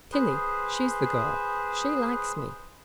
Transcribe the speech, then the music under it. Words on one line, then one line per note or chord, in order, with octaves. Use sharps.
Tillie--she's the girl--she likes me.
G#4 B4 C5